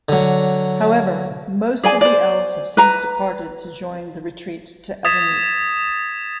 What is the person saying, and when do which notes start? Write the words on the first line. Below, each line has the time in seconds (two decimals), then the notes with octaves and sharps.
However, most of the elves have since departed to join the retreat to Evermeet.
0.09 D3 F#3
1.83 G#4 D5 G#5
2.01 C5 D5
2.77 B4 A#5
5.05 D#6 G#6 A6 B6 E7